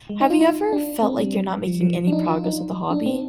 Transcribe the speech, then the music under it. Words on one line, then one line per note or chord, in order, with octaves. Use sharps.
Have you ever felt like you're not making any progress with a hobby?
G#3
D#4
F4
D#4
D4
C4
G3
F3
F3
F3
D4
D#4
F4
D#4
D4
C4